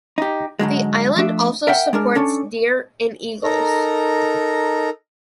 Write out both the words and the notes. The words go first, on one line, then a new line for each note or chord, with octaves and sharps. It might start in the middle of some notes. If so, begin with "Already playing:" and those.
The island also supports deer and eagles.
D#4 G4
G#2 D3 F#3 G#3
F3 A3 D4 E5
A#4 E5 F#5 G5
G#3 D4 A#4
C#4 D4 A4 C#5
D#4 A4 A#4 A#5